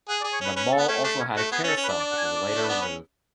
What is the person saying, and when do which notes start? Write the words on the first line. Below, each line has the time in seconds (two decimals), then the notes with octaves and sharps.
The mall also had a carousel, which was later removed.
0.09 G#4 F#5
0.21 D5
0.24 G#4
0.32 C#5
0.41 C#4 B4
0.56 C#4 B4
0.72 A4
0.77 B3
0.88 A3 C#4
1.04 A3 D4
1.20 C#4
1.36 A3 F#4
1.52 B3 G#4
1.64 C#4
1.68 A4
1.76 C#4
1.84 B4
1.88 D4
2.00 D5
2.12 F#5
2.18 G#5
2.24 F#5
2.35 D5
2.55 A3
2.63 B4
2.68 B3
2.80 C#4 B4